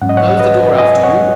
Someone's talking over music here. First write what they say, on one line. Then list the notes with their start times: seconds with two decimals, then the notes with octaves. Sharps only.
'Close the door after you.
0.02 G#2 F#3 C#4 F#5
0.09 D#5
0.17 C#5 F#5
0.39 B4 D#5
0.79 D#5 G#5
1.03 C#5 F#5